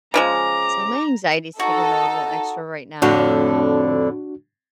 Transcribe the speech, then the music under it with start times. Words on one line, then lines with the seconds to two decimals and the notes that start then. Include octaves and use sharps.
So my anxiety's kicking a little extra right now. Um,
0.14 C#3 F3 G#3 A#5 D6
1.60 D#4 F#4 A4
3.02 F2 A2 D3 D4 F#4